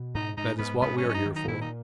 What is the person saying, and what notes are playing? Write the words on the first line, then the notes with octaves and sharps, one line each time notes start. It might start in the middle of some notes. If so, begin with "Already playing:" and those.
That is what we are here for.
Already playing: B2
G#2 D#4
G#2 D#4
G#2 B3
G#2 B3
C#4
F#3
C#4
D#4
D#3
D#4
A#2 E4
D#4